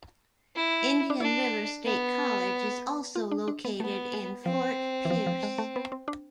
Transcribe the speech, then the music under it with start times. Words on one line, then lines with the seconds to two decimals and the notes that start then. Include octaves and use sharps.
Indian River State College is also located in Fort Pierce.
0.56 E4
1.10 D4
1.20 D4 E4
1.85 B3
3.15 F4
3.31 D4
3.48 D4
3.65 B3
3.80 A3 B3
4.13 G#3
4.45 F3 C4
5.05 E3
5.10 F3
5.26 F3
5.43 G#3
5.58 A3
5.76 B3
5.92 C4
6.08 D4